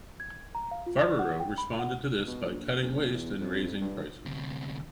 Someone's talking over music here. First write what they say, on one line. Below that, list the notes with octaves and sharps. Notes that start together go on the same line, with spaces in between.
Farberow responded to this by cutting waste and raising prices.
G#6
A#5
F5
F4
D5
F#5
G5
B5
F#5
B2
A#1
F#1
E2
F2
G2
D2 C3